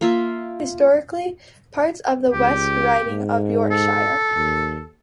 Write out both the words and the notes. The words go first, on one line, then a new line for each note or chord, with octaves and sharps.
Historically part of the West Riding of Yorkshire.
A#3 F4 E5
C#2 G4
G#2
A4
D#2